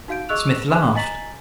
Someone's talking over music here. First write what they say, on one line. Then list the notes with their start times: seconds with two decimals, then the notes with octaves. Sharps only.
Smith laughed.
0.08 D#4 F#4 F5 G6 D7
0.29 G#4 D#5 C#6 E6 F#6 F7
0.68 G#4 C6 F#6
0.95 D#5 G#5 A#5 A6 B6 F#7